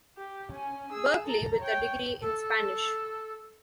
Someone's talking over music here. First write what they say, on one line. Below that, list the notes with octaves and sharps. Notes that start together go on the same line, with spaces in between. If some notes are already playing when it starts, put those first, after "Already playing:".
Berkeley with a degree in Spanish.
G4
C#4 G#5
G#4 E6
A4 A#5
C#5 G5
A4